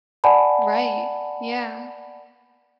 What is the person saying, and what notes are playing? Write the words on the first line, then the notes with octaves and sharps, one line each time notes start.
Right. Yeah.
D5 F#5 G#5 A5 B5